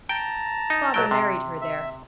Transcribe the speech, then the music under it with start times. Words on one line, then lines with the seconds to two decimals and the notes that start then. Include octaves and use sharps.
Father married her there.
0.09 G5 A5 A#5
0.70 D#4
0.94 B1 F#3 G5
1.11 C3
1.61 E5